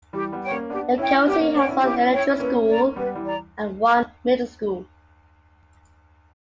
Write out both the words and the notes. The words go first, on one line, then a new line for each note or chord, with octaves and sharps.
Yokoze has one elementary schools and one middle school.
E3 G3 G4
G3 B3
C#5 G5
A#3 C#4
B3 D4 G4
C#4 E4 C#5 G5
B3 D4 G4
A#3 C#4
B3 D4 C#5 G5
C#4 E4
C#4 E4 G4
C#5 G5
A#3 C#4 B4
D5 A#5
G3 B3 B4
E3 G3
D5 A#5